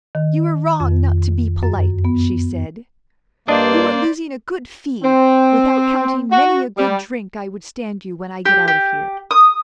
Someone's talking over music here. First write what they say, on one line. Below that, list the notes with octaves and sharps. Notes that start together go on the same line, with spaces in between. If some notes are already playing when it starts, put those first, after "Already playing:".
"You are wrong not to be polite," she said; "you are losing a good fee, without counting many a good drink I would stand you when I get out of here."
D#3
F2
F#2
B3
G2 A#3 D4 C5 D5 D#5
C4
F#4
G3
G4
G4
D#6